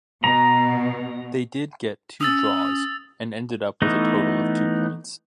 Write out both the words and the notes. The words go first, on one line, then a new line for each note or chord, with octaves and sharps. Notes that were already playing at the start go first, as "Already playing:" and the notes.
They did get two draws and ended up with a total of two points.
B2 A#5
C#4 D#6 E6 A6
E3 A3 B3 D#4